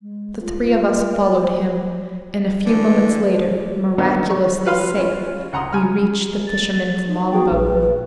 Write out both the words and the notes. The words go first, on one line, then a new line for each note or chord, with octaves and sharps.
The three of us followed him, and a few moments later, miraculously safe, we reached the fisherman's longboat.
G#3
F4
F4
D5
C5
D3 E3 B4
D3 F3 F#3 A#3 B3 D#4
C#6
F#3 B4 F5 B5 C6 F6
C#4 F4
C#2 F#5 A#5 C6 D#6
G#5 B5 F6
A6
D#4
B3 F#4 G#4 G5
A#1 B4